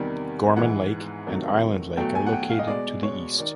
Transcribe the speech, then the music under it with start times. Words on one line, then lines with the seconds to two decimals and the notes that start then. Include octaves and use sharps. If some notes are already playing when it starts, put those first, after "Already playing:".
Gorman Lake and Island Lake are located to the east.
Already playing: E2 C3 D#3 G3
0.56 G#2 E3 G#3 F#5
1.27 C3 D#3 F#3 A3
1.97 E2 B2 F#3 A3 G5
2.15 G#5
2.26 F#5
2.33 G5
2.50 F5
2.59 D#5
2.67 B2 G#3 D5
3.03 C#5
3.38 D#3 D5